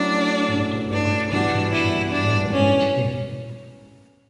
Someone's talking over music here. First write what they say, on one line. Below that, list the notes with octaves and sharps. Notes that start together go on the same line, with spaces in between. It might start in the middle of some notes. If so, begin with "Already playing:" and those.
Little biographical information is known about him.
Already playing: F#3 A3 C#4 D4 E4
D4
E3 G3 B3 D4 F#4
E4
D4
C#4